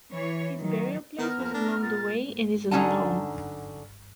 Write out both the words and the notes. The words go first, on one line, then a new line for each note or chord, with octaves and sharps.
His burial place was along the way and is unknown.
E3 C#5
D#3 F#3
D#3 B3 A#5 F6
F2
D4
A#2 A6
D3 F#3 C#4 D#4 F#5 A5